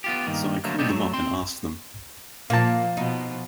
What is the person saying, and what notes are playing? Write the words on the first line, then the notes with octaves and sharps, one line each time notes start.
So I called them up and asked them.
B3 F4 G4
G2 D#3 A#3
D3 F#3 A3 A#3
B1 B3 C4 D4 D#4
F#3 A3
C4 C6
A#2 F3 A#3 A5
B2 F3 D#4